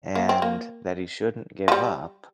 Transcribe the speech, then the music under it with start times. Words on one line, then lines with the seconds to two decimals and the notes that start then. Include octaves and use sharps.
And that he shouldn't give up,
0.15 A#3
0.29 C4
0.42 A#3
1.68 F3
1.72 G3